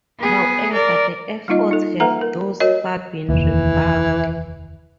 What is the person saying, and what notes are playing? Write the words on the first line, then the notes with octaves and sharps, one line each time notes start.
However, the efforts have thus far been rebuffed.
B3 G#4
A#4 D5
G3 A#3 D#4 F4 D#5
D#4 A4
A#3 A4 B4 E5 F#5 A#5
A#4
F#4 A#4 C#5 D#5
F1 D#2 E3